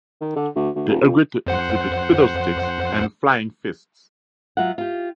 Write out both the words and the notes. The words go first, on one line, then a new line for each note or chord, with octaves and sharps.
They agreed to exhibit "Fiddlesticks" and "Flying Fists".
D#3
D3
D2
D2
D#1
F2
F2 C5 F#5
F#3 F4 E5 F#5
F4 G4